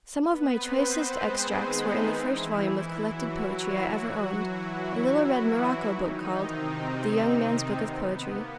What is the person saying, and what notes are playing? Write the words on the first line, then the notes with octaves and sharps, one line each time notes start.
Some of my choicest extracts were in the first volume of collected poetry I ever owned, a little red morocco book called "The Young Man's Book of Poetry."
B3 B4
C4 C5
B3 B4
G#3 G#4
D#3 D#4
E3 E4
F#3 F#4
F#3 F#4
F#3 F#4
F#3 F#4
E3 E4
E3 E4
E3 E4
D#3 D#4
C3 C4
B3
A#3